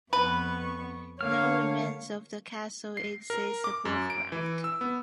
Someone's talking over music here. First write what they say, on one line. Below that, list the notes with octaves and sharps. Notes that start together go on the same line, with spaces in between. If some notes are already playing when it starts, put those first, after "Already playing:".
No remains of the castle exist above ground.
F2 B3 B4 C#6
D3 A#3 C#5 F5 F6
C7
A#4
D6
F#2
D7
E3
E6
B3